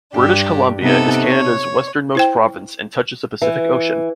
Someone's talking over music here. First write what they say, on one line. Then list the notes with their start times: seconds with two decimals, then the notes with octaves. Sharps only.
British Columbia is Canada's westernmost province and touches the Pacific Ocean.
0.14 G2 D4 G4
0.82 C3 B3 D#4 A4
1.26 C#5
2.15 E4 C5 G5
3.42 E3